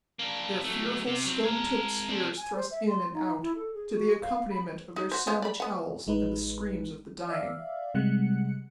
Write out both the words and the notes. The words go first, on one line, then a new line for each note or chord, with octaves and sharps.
Their fearful stone-tipped spears thrust in and out, to the accompaniment of their savage howls and the screams of the dying.
A#3 D4
F#3 A3
C3
F#3 C4
G#3 A#4
C4 D4
G#5
C5
E5
C6
D#4
E4
A4
G#4
F#4
F5
B5
D#4
F#4 C5
B3 F4 C5
D5 B5
B3 F#5
A1 G#3 D#4 B4
D5 E5 F5
C3 G3 G#3 F#5 F#6 C#7